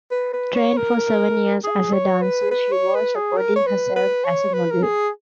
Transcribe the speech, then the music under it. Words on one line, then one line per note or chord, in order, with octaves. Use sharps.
Trained for seven years as a dancer, she was supporting herself as a model.
B4
B4
C#5
A#4
G#4
C#5
B4
B4
C#5
B4
G#4
A#4
C#5
B4
B4
C#5
B4
A#4
G#4